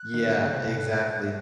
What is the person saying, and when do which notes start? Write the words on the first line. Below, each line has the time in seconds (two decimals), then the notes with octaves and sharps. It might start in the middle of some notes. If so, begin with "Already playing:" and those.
Yeah, exactly.
Already playing: F#6
0.14 D#3
0.27 D3
0.40 C#3
0.53 C3
0.67 B2
0.93 A#2